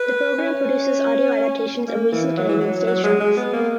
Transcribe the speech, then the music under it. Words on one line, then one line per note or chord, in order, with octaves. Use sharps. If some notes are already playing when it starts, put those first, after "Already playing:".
The program produces audio adaptations of recent Canadian stage dramas.
Already playing: B4
C#4
A#3
E3
F#3
E3
F#3
F#3
G#3
G#3
B3
A#3